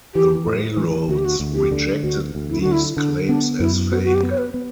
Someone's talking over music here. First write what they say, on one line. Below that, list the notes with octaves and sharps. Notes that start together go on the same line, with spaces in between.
The railroads rejected these claims as fake.
E3 G4
A2
E3
D2 F#4
G4
F#4
D2
G4
D3
D2 F#4
D2
E4
D3 F#4
E4
D3 D4
B3 D4
F#2 E4
B3 F#4
F#4
G4
B3
C#5
B4
B3